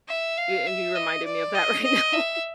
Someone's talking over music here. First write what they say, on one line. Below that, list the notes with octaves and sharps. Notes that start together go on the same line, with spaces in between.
A and you reminded me of that right now,
E5
F5
E5
D#5
D5
D#5
D#5
E5